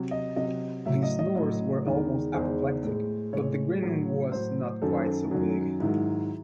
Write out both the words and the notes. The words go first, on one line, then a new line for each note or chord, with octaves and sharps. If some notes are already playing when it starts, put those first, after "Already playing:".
The snores were almost apoplectic; but the grin was not quite so big.
Already playing: C3 F#3
D#5
C3 F#3 D#5
A2 F#3 E5
D#5
D#5
A2 F#3 D#5
E2 D#3 G#3
E2 D#3 G#3 C5
A2 G#3
A2 G#3 C#5
A2 F#3
A2 F#3 C5
F#2 D#3 F#3 A4
C5
A4
F#2 D#3 F#3 F#4
G#2 D#3 F#3 E4